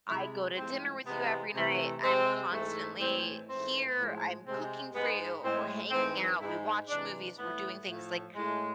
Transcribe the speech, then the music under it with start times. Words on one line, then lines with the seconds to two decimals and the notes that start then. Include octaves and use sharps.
I go to dinner with you every night, I'm constantly here, I'm cooking for you, we're hanging out, we watch movies, we're doing things, like
0.08 C3 G#3 E4
0.57 A2 F3 G#3 C4
1.05 C3 E3 G#3 B3
1.54 C3 E3 A3
2.02 C3 G#3 C4
2.50 G#2 E3 A3
2.99 A2 E3 G#3 C4
3.48 G#2 E3 A3 C4
3.96 A2 F3 G#3
4.46 C3 G#3 C4
4.94 G#2 G#3 B3
5.42 A2 G#3 C4
5.91 G#2 E3 G#3 C4
6.40 G#2 G#3 E4
6.89 C3 E3 G#3 D4
7.37 A2 E3 A3 B3
7.86 A2 F3 A3
8.34 A2 G#3